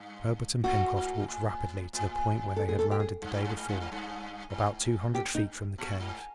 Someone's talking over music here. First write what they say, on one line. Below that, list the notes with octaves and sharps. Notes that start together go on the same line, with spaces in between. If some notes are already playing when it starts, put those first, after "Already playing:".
Herbert and Pencroft walked rapidly to the point where they had landed the day before, about two hundred feet from the cave.
Already playing: G2
G#2 F#4
G#2
A2
A2
A4
G#4
A4
G4
G#4
G2
G#2
G2
G#2
G2
G#2
G2
G#2
G4
D#4
A#2
G#2